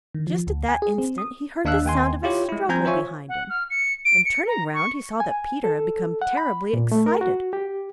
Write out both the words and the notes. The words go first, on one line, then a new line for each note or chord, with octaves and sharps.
Just at that instant he heard the sound of a struggle behind him, and turning round he saw that Peter had become terribly excited.
D#3
F3
D2
G#5
G#4
C4
D#6
D#2 D4 F5 E6 F#6
D#2 G5 G#5 C6
E4 F4 G4 C#5
G#3 E4
F3 C4 G#5 A#5 G6 G#6
F4 C5 C#5 E5 G#5 C#6
F#5
F6
C#7
D7
C#7
A#5
C#6
G#5
A4
F#5
B5
A#2
A3
A#4
F#4
G4